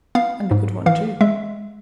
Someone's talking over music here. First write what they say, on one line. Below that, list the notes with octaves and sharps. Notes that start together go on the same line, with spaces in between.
"And a good one, too."
B3 F5
G#2
E3 F5
G#3 E5